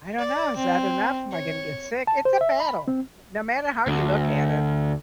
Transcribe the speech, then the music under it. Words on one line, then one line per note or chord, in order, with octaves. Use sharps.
"I dunno. Is that enough? Am I gonna get sick?" It's a battle. No matter how you look at it.
D5
C4
C#5
A5
C5
E5
B5
C4
D2